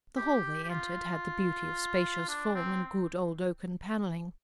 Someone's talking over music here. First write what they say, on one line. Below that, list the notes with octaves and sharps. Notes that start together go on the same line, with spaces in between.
The hall they entered had the beauty of spacious form and good, old oaken panelling.
G4
G4
F4
D4
C4